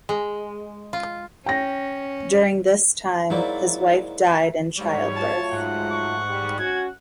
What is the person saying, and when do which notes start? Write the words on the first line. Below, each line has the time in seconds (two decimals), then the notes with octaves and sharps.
During this time his wife died in child birth.
0.09 G#3
0.93 F4
1.46 C#4 G5 A#6
3.30 G#2 F#3 A#3 E4 C5 D5
4.77 G#2 G3 C#5
5.16 F#3 A3 F4 A5
5.52 G#2 F#5
5.92 C#6
6.28 G3
6.59 C#4 F#4 G#6